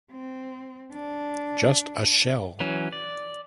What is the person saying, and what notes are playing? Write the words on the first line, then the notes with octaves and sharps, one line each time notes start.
Just a shell.
C4
D4
E3 F#3 C#4
D5